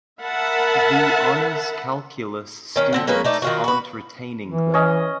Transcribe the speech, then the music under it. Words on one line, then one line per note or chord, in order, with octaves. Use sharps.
The honors calculus students aren’t retaining though.
A#4 E5 F#5 A5 B5
D#3 C#4
D3 C4 F#5
G#3 A#3 C#4 B4
A3 D#4 D5
D#3 F4 F#4
F#4 B4
E3
C#4 D#5